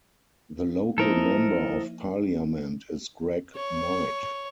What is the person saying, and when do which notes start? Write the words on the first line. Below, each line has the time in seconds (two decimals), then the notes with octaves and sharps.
The local Member of Parliament is Greg Knight.
0.98 F3 A#3 D#4 E4 A4 A#4 C5 D#5
3.56 C#5